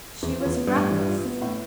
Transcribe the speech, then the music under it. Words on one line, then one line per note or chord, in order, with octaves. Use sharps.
She was breathless.
E2 E3
F4
E2
B3
G2
A2
E3
F4
B3
A2